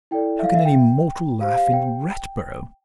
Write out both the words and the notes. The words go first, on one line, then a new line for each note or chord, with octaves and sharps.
How can any mortal laugh in Ratborough!
E4 A4 D5 G5
E5
F5
E5
G5
G4 C5 F5
F5
G5